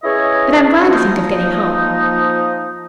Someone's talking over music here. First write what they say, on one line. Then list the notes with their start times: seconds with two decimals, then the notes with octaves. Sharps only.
But I'm glad to think of getting home.
0.03 C#4 E4 G#4 B4 C#5 D#5
0.87 F3 A#3 D#4